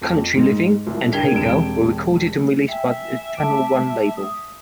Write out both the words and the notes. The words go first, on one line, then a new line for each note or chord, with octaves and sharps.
"Country Living" and "Hey Girl" were recorded and released by the Channel One label.
F2
G#2
C2
D3 A#4 G5 G#6 G7
E1 C3 G3 D7 E7
E5 G5 G#5
A5 D6 D7
D#6